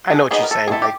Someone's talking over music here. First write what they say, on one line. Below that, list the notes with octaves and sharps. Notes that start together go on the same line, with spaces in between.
I know what you're saying, like
G#4
F#3 B3 D#4 G#4
A#4
A4
G#4
A3 C4 E4 A4
G4